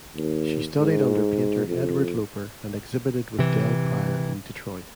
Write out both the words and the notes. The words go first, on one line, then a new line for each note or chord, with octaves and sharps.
She studied under painter Edward Loper and exhibited with Dell Pryor in Detroit.
D#2
G#2
F2
C3 E3